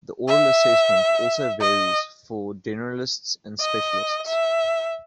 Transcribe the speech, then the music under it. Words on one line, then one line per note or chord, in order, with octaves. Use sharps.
The oral assessment also varies for Generalists and Specialists.
E5
D#5
D#5
E5